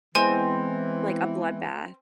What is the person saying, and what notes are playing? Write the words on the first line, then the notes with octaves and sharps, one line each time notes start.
like, a bloodbath.
E3 G#3 B3 C4 E4 G#5